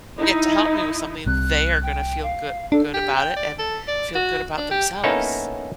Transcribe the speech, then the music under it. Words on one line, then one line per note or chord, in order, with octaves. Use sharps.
get to help me with something, they are gonna feel goo good about it and feel good about themselves.
D#4 E4
C2 C3 F#6
G5
F5
D4 A4
G4
G5
D5
A4
D5
F#4
D4
G4
A#3 B3 C#4 D#4 E4 A4